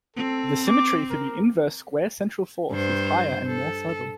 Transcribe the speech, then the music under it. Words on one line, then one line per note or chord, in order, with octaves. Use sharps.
The symmetry for the inverse-square central force is higher and more subtle.
C4 A4
D6
A#4
G2 C5
A4